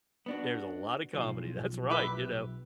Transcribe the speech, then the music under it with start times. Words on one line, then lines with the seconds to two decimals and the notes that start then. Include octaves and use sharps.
There's a lot of comedy, that's right, you know.
0.26 B3 D4 F#4
1.15 B1 F3
1.90 G4 B4 E5